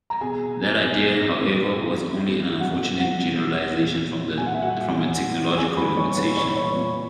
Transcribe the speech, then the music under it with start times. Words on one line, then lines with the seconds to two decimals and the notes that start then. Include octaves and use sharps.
That idea, however, was only an unfortunate generalization from a technological limitation.
0.10 A#5
0.21 B2 G#4 G#5
0.81 B2
1.40 A#2
2.00 A#2
2.59 B2 F#4 F#5
2.99 F#4 F#5
3.19 B2
3.79 A#2
4.38 A#2 G#5
4.47 F#5
4.54 E5
4.62 F#4 F#5
4.98 A#2
5.57 A#2 G#4 G#5
5.77 B4 B5
5.97 C#5 C#6
6.12 C#6
6.17 A#2 B4 B5
6.37 C#5 C#6
6.48 B5
6.56 C#5 C#6
6.76 A#2